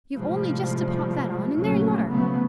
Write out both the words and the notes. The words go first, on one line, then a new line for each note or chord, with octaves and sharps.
You've only just to pop that on, and there you are.
A2 C3 F3 G3 G#3
A#1 C#3 F#3 A3 C#4
C#3 F3 F#3 A3 B3